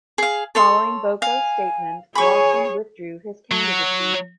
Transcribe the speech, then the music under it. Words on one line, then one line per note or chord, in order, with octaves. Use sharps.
Following Boko's statement, Lawson withdrew his candidacy.
G#4 F5
A4 C#5 C6
F5 G#5
G#4 C#5 G#5 B5 C#6
F#3